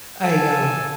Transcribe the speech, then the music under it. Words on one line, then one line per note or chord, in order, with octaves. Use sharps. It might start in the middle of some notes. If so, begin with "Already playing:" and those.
I, um,
A4 G#5 A5